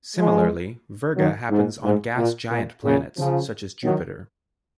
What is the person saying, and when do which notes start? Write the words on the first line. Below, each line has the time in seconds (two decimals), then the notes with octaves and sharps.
Similarly, virga happens on gas giant planets such as Jupiter.
0.17 F3 G#3
1.17 D#3 F#3
1.50 G#2
1.83 G#2
2.17 A#2
2.50 A#2
2.83 A#2 C#3
3.17 C#3 F3
3.84 D#3 F#3